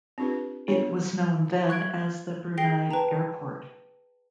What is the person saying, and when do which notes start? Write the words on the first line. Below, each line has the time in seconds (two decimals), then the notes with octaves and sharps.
It was known then as the Brunei Airport.
0.18 C4 D4 F4 G4 B4
0.68 B3 D4 F4 C#5
1.69 C#6 F#6 G#6 D7
2.57 G#4 G5 A#6 C7 G7
2.91 B4 G5 A5 A#5